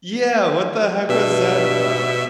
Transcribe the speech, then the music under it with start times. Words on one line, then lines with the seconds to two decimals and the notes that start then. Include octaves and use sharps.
Yeah! What the heck was that about?
1.09 G2 B2 E5